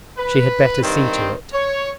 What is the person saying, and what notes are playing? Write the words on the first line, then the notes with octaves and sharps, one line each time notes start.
She had better see to it.
B4
G2 D#3 C4
C#5